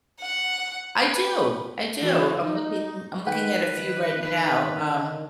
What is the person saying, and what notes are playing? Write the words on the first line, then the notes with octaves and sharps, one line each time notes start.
I do, I do, I'm looking I'm looking at a few right now, um
F#5
B4
E3 E4 F#4
D#4
D#3 B4 F#5 G5